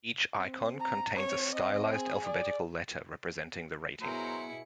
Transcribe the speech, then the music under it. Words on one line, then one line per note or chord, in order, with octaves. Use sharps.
Each icon contains a stylized alphabetical letter representing the rating.
C4
A#5
C4 C#5
D#5
G#4
D5
B2 F#3 E4 G#4 A#4 C5 C#7